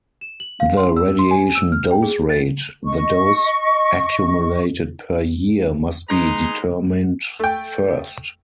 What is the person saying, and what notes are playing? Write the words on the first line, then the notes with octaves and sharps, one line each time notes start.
The "Radiation Dose Rate" - the dose accumulated per year-must be determined first.
E7
F#7
F5
C6
E6
C6
G#5
E6
F6
G5
G#4
A6
D#5 C#6
G#3 D#4 G#4 B4 A#5 C6
A3 G5